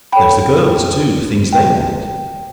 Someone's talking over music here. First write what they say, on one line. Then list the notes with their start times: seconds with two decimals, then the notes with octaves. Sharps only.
There's the girls, too--the things they want!
0.12 A4 C#5 F#5 G5 B5
1.53 B4 E5 G5